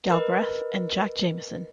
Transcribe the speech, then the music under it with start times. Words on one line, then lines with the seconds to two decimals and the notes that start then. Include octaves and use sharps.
Galbreath and Jack Jamison.
0.10 A#4 B4 D#5